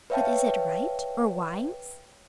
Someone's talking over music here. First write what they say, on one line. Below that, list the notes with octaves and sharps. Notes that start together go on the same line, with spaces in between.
"But is it right, or wise?"
B4 C#5 E5 F5 G5 A5